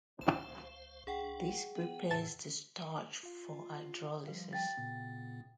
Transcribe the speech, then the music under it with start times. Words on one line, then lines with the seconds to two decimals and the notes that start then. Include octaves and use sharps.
This prepares the starch for hydrolysis.
0.21 C#2 C5 F5 E7
1.07 C2 D4 G#4 F#5 G5
1.76 B3
2.11 E2 A2 C#3 A5 A6
3.23 F4 F5
4.27 F3 G3 F#4 B4 F5
4.53 F5 G5 A5 A6
4.77 A#2 C#3 B3